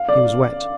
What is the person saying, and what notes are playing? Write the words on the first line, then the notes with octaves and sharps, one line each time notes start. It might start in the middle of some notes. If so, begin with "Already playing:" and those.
He was wet.
Already playing: F5
D5